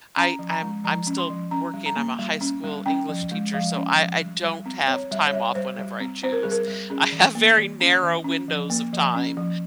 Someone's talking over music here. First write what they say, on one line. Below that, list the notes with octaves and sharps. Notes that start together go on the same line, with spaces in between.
I I'm I'm still working, I'm a high school English teacher, so, I I don't have time off whenever I choose. I have very narrow windows of time.
C#4 A#5
F3
A#5
G#3
F3 A#5
C#4
C6
F3
C#4 A#5
G3
A#5
A#3
G3
C#4
G3
C#4 G5
F3
G#3
F3 F5
C#4
F3
G3
G3
C4
C4 C#5
G3 E5
C#5
G3 E5
G3 C5
G3
C4
C4 C5
A#4
G3 G#4
A#4
G3
C#4 G#4
E3
A#3
E3
C#4
E3
C#4
F3
A#3
F3
C#4
F3